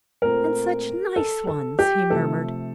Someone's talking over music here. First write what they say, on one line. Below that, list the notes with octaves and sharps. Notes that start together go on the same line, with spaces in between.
"And such nice ones," he murmured.
A#2 A3 C4 A#4
A4
A4
G4
C3 F3 A3 A4